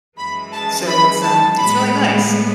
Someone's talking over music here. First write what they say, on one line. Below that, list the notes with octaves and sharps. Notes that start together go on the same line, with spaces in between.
So it's, um it's really nice,
F#2 E3 G#3 B5
A5
B5
A5
A2 G#3 B3 B5